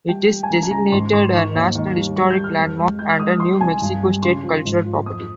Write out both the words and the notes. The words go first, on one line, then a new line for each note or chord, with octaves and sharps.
It is designated a National Historic Landmark and a New Mexico State Cultural Property.
G3 G5
G3
G#5
C#2 A#5
G#5
C#2 A#5
G#2 C6
G#2 C6
D#3 C#6
D#2
D#3
G3
G3 C#6
G6
G3
F6
F2
G#3
G#3 G6
F6
G#3 D#6
D#6
G#3 C6
C2 G#5
G2
G3
C#3 C6
F3
G#2
F3
F2 D#6